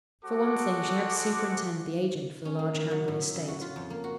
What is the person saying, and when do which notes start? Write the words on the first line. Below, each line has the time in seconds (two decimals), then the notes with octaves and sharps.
For one thing, she had to superintend the agent for the large Hanbury estate.
0.24 G#3 F#4 A4 C5 D6
2.45 C#4
2.59 A#3
2.74 D#3
2.91 F#3
3.08 A2
3.22 E5
3.35 C#3
3.48 F#4
3.61 F4
3.76 F2
3.90 A#3
4.04 F#4